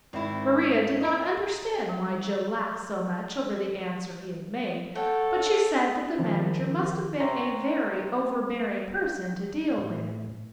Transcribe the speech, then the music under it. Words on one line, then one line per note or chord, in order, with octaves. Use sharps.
Maria did not understand why Joe laughed so much over the answer he had made but she said that the manager must have been a very overbearing person to deal with.
G#1 C4 E4
D#5 A#5 D7
G3
A4 C#5 F#5 G5
D#3 F3 A#4
C5 E5 G5 A#5 C6 C#6
A2